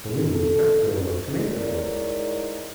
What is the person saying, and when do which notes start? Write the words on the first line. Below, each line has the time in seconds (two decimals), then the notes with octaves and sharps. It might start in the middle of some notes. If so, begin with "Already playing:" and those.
Toline did not know what to make of him.
0.25 A4
1.45 G#2 E4 A#4 C#5 D5